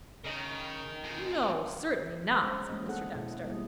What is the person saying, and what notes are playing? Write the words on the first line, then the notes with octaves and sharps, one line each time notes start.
"No; certainly not," said Mr. Dempster.
C#3 A#4 D#5
F2 G#3
G#3 C#4 C5
G#3 A#3 C#4 D#5
B3 D4 G#4 A4 F#5
B2 E4 G#4
G3 A#3 E4 D#5